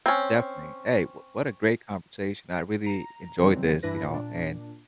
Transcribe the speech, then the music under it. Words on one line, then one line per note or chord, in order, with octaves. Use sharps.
Definitely. Hey, wh what a great conversation. I really enjoyed this, you know? And
C4 C#4
A#5
C#3 E3 F#3 G3 C4
G2 E3 D4 E4 B4 A#6
A#2 D4